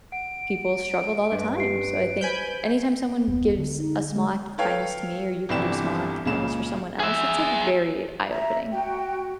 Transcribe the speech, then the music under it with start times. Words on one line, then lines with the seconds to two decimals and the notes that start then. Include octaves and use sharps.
people struggled all the time, so I think, anytime someone gives a small act of kindness to me, or you can do a small act of kindness for someone else, it's like very eye-opening.
0.12 F#5 D7
1.32 G2 B4
1.57 G4 C7 D7
2.21 C5 G#5 B5 G6
3.09 B3
3.27 D1 G1 F2
3.58 D3
3.78 D#4
4.11 G#3
4.58 A4 B4 C#5 F5 G5 F6
5.49 G1 C2 E3 G4 D5 E7
6.25 C#2 A#2 C#3 E7
7.00 G#4 E5
8.31 E5 A#5
8.72 F#4 G5